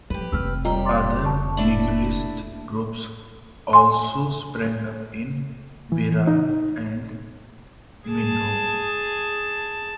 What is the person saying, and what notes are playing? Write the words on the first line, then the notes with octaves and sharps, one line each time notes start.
Other miguelist groups also sprang up in Beira and Minho.
F3 G4 B4
F1 C4 E6 F6
D#2 G3 F4 D#5 G5 A#5
C6 D6 A6
A5 C#6
A3 D4 E4 F#7
G#5 C6
E3
D#4
G#4 A5